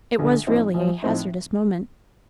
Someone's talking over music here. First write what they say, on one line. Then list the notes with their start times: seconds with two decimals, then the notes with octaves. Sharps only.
It was really a hazardous moment.
0.19 A#1 D3
0.47 A2 F3 C4 D#4
0.74 A#1 F3
1.03 A2 F3 C4 D#4